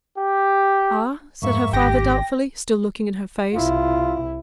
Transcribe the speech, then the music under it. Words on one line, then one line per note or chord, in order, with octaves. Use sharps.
"Ah?" said her father, doubtfully, still looking in her face.
G4
F2 G#2 A#3 E5 C#6
G#1 G4 G5 A#6
C2 E4 F4